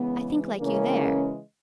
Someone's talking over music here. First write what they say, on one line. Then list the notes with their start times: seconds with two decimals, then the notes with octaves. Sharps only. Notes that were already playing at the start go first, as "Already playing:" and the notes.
I think like you there.
Already playing: C#3 E3 G#3 B3
0.60 C#3 E3 G#3 A#3 C#4